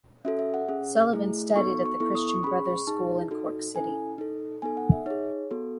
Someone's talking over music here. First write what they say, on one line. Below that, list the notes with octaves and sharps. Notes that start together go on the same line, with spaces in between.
Sullivan studied at the Christian Brothers school in Cork city.
C#4 F#4 A4 E5
E5
F#5
C#4 G#4
A3 E4 G#4
B3 D#4 F#4 A4 C#6
C#6
B3 E4 A4 C#6
D#6
C#6
C#4 G#4 B5
C#6
D#4 G#4 A5
D#4 F#4 A4
C#4 E4 A4 G#5
D#4 A4
B3 D#4 A4 G#5
F#5
E5
D#4 G#4 C#5
B3 F#4 A4